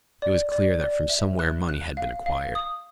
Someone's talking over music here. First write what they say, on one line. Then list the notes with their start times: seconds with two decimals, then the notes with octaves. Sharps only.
It was clear that from SOMEWHERE money had been acquired.
0.22 D5
0.52 D5
0.81 D5
1.09 E5
1.39 F#6
1.69 F#6
1.97 F5
2.26 F5
2.55 D#6